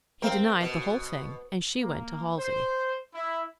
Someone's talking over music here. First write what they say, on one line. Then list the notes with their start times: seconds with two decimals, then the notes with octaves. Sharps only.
He denied the whole thing, and she went to Halsey.
0.22 C4 A#4 F5 G5
0.61 B2
1.81 A#3
2.38 C5
3.14 E4